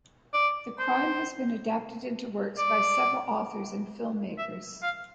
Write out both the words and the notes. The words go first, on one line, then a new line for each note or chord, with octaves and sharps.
The crime has been adapted into works by several authors and filmmakers.
D5
C5
D5
E5
F5